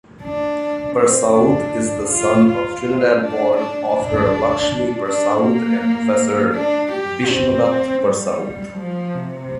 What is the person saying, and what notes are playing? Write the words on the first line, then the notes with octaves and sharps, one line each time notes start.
Persaud is the son of Trinidad-born author Lakshmi Persaud and Professor Bishnodat Persaud.
D4
C4
D4
F4
F4
D4
D4
D4
D4
A#3
D4
G4
C4
G3
F3
C3